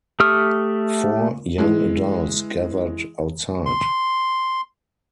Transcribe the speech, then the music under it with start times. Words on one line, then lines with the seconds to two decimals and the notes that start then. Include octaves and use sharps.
Four young adults gathered outside.
0.20 A3 G4 C#6 D#6 F6
1.58 E3 G#3
3.66 C6